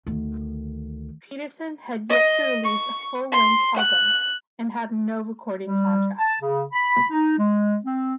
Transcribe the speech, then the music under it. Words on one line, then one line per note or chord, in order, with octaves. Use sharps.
Peterson had yet to release a full-length album, and had no recording contract.
D2 D#3
D#5
C#6
C6
F#6
G3
A5
C#3
B5
D#4
G#3
C4